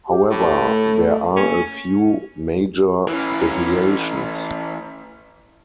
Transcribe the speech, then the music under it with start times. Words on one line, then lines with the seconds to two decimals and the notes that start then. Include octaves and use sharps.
However, there are a few major deviations.
0.08 G4
0.31 A2
0.67 A3
1.36 A#3 C#4
3.09 E3 C#4